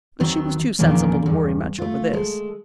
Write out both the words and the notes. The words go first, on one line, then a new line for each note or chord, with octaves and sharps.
But she was too sensible to worry much over this.
D#2 D#3 F#3 B3 C4
E2 A#2 D#3 F3 A#3 C#4
E2 G2
A3 F4
G#3 A4